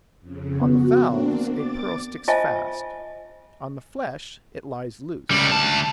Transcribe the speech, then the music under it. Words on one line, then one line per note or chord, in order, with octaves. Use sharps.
On the valves a pearl sticks fast; on the flesh it lies loose.
F2 C#3
B3 F#4
A#3 C4 D4
D6 A6
F4 C5 D#5 E5 G#5 A5
C#2 G3
D2 A5